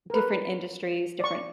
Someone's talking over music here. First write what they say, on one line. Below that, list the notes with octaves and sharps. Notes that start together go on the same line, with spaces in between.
different industries, different
A#4 B4
D5 C#6